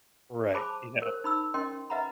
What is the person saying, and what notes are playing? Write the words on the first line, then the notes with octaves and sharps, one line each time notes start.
Right. Yeah.
G#4 C5 G#5 A5 B5 D6
A#4 C5
D#4 B5 E6
C#4 A#4 D#5 G5 C6
B4 D#5 E5 F#5 A#5 B5